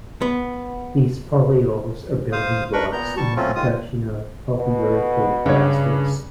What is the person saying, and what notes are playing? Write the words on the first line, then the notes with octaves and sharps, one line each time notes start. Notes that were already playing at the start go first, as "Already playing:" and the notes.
These polyols are building blocks in the production of polyurethane plastics.
B3
C5 F5 D#6
D4 A#4 B4 B5 C#6
A#2 B3 A#5 G6
G3 A5 C#6
F#3 A3 C4 C#4 F4
D#3 G#3 F4 D#6
B2
G2 C#3 C#5